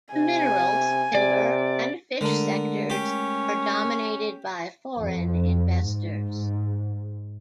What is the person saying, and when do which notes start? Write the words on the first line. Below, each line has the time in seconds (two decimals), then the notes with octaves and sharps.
The minerals, timber, and fish sectors are dominated by foreign investors.
0.14 C3 G#5
1.15 C3 D5
2.21 D3 G#3 A3 A#4
2.90 C#4 G4
4.99 F2
5.86 G#2